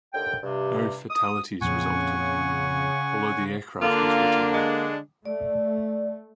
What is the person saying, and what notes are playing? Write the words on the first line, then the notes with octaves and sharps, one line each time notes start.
No fatalities resulted, although the aircraft was written off.
D#2 D3 G5
G2 C3
D#6
F2 A#2 C#3 F#5 G#5 C#6
D3 A#3 D4 F4
G#3
A3 D5